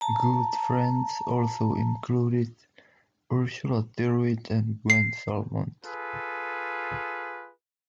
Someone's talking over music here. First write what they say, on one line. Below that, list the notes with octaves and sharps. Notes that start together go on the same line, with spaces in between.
Good friends also included Ursula Tyrwhitt and Gwen Salmond.
A5 A#5
C7
F4 G#4 A4 B4